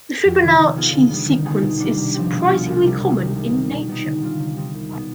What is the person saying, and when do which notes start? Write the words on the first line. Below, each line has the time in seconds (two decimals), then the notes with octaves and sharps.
The Fibonacci sequence is surprisingly common in nature.
0.25 F2
0.41 C3 D#3 B3
0.59 D#3
0.76 B3 F4 G#4
0.93 D3
1.10 G3 B3
1.29 D#3
1.45 B3 D#4 G#4
1.62 B2
1.80 G3 D4
1.98 C3
2.14 F3 C4 G4
2.32 B2
2.49 B3 F4 G#4
2.66 C2
2.84 C3 G3
3.01 C3
3.19 D#3 G#3
3.35 C2
3.52 C3 D#3
3.70 B2
3.88 G3 B3 D#4
4.05 D3
4.22 G3 C4 F4
4.39 C3
4.57 G3 C4 D#4
4.74 C2
4.91 B2 B3